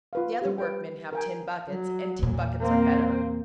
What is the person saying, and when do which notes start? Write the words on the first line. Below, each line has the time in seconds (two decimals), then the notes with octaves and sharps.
The other workmen have tin buckets, and tin buckets are better.
0.13 F4 B4 F5
0.42 G3 G4
0.58 B4 G5
1.13 A#4 G5 G#5
1.67 F#3
2.19 E2 A#2
2.60 A#3 C4